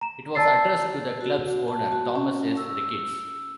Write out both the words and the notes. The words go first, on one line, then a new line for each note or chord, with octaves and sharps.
It was addressed to the club's owner Thomas S. Ricketts.
A#5 E7
D5 A5 E6 A6 C7
F#4
A5
F#4
C#4
E6